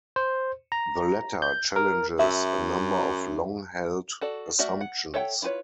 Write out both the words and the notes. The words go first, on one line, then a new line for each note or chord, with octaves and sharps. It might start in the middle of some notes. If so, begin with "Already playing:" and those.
The Letter challenges a number of long-held assumptions.
C5
A#5
G6
A#4
F#2 E5
F#4 A4 D5
A3 F#4 A#4 D5 E5
F#5
A4 C#5 E5 F#5 G5
E4 F4 G#4 B4 C#5